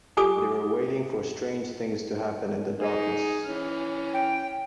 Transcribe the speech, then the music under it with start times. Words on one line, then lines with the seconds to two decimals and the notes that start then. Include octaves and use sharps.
They were waiting for strange things to happen in the darkness.
0.17 F4 G4 A4 G#5 D6 D#6
2.80 D#4 G#4 D#5
3.45 E3 C#4 F6
4.14 G5